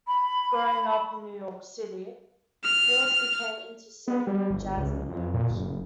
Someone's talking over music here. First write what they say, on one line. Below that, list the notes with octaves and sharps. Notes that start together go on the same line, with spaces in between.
Growing up in New York City, Geils became interested in jazz and blues.
B5
F6
B3
G3
G1
C#2
F2
A#2
F#1